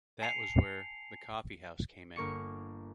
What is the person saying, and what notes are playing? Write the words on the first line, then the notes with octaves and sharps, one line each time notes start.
That was where the coffeehouse came in.
G#5 A5 C7 C#7 F7
G1 A#3 A#4 C#6 D6 C#7